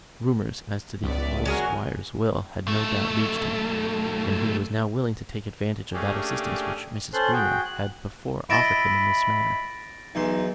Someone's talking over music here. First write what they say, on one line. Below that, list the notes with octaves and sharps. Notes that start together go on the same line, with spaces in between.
Rumours as to the old Squire's will had no doubt reached him, and he was now willing to take advantage of that assistance which Mrs. Greenow had before offered him in this matter.
C#2 B3 D5 E5
F#3 F#4 G#4 A#4
B1 A3
A3 A#3 C#4 D4 G4 G#4
C#4 A4 C5 C6 F#6
F#4 G#4 G5
F#6
E4 D#5 B5 A6 A#6 D7
B1 E2 D#4 C6